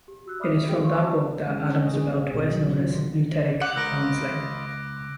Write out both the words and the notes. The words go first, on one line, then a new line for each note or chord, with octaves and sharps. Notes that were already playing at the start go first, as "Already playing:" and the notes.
It is from that book that Adams developed what is known as nouthetic counseling.
G4
F#4 E6 F#6
D5 E5 B5 D6 D#6 F6
F#4 G#4 A4 G5
F5 C6 C#6
F#4 A5 C#6
G#3
C#4
D#5
G#4
B3
C4
B2
F#3
D#3
F4
D3
F#5 D6 F#6 G6
C#2 F4 A#4 B4 D#5 E6 A#6 D7